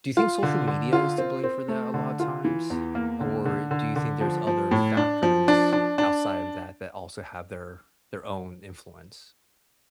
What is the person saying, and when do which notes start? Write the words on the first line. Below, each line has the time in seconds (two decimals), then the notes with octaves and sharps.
do you think social media is to blame for that a lot of times? Or do you think there's other factors outside of that that also have their their own influence?
0.17 F4
0.43 D3
0.67 D3
0.93 F4
1.18 C4
1.44 C4
1.68 A3
1.94 D3
2.20 F4
2.45 E3
2.70 E2
2.95 A#3
3.21 D3
3.45 D3
3.71 D3
3.96 D3
4.21 F3
4.47 F3
4.71 A2
4.97 D4
5.23 F3
5.48 D4
5.73 D4
5.98 D4